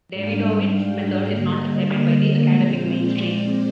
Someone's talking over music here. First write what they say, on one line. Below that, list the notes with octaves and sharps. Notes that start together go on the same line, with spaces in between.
Davidovits's method is not accepted by the academic mainstream.
G#2 G3 D4 F5
F5
G5
F5
D3 G3 A#3 D#5
A#4
A#4
A#2 F3 G#3 C4 C5
C5
D5